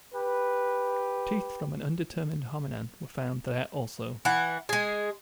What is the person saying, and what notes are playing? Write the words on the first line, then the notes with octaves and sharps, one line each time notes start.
Teeth from an undetermined Hominan were found there also.
G4 B4
E3 F#5
G#3 G#4